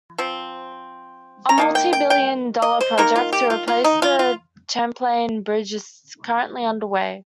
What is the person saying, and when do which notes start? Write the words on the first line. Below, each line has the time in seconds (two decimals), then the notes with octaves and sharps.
A multibillion-dollar project to replace the Champlain Bridge is currently underway.
0.18 F3 C4
1.49 A#5
1.58 D#3 A#3 D#4
1.75 G5
1.93 G5
2.10 G5
2.62 D#5
2.80 C5
2.98 D#3 A#3 D#4 A#4
3.16 F4
3.33 G4
3.50 F4
3.68 F4
3.84 D#4
4.02 F4
4.19 F4